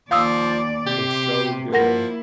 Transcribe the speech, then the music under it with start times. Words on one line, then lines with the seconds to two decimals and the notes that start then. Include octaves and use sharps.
it's so good.
0.11 D#2 F3 D5 F5 D#6 E6
0.87 C3 G4
1.73 F3 A#3 E4 A#4 F#5 A#6